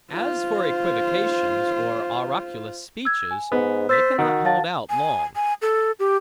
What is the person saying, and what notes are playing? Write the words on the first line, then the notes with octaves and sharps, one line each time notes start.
As for equivocations, or oraculous speeches, they cannot hold out long.
F4 C5
E6 G#6
G#5
G#2 B3
C5 E6 A6 B6
D#3 F#4
F5 A5 A6
G#5
G#5
A4
G4